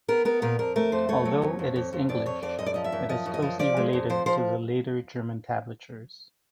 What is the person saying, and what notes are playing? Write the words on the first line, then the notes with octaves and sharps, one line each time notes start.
Although it is English, it is closely related to the later German tablatures.
B3 A#4
B3 A#4
A#2 A#4
F2 A#4
A3 A#4
F2 C5
A3 C#5
F#3
F2
F2
F2
F2
F2 D5
F2 C#5
F2 D5
F#2 D#5
D5
F3 D#5
E5
F#2
F3 D#5
F#2
D#5
F3
F3 D5
G#3
F2
F3 C5
F3 C5